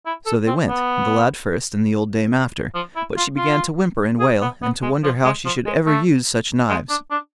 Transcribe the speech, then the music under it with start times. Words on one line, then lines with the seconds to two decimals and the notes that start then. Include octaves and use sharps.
So they went, the lad first and the old dame after, but she began to whimper and wail, and to wonder how she should ever use such knives.
0.06 E4
0.26 A4
0.47 C4
0.68 B3
2.75 F3
2.96 E4
3.17 F4
3.37 F4
4.20 G#4
4.41 B3
4.62 B3
4.82 G#3
5.04 F3
5.24 G#3
5.45 F3
5.66 G#3
5.86 A3
6.69 G#3
6.89 D4
7.11 D4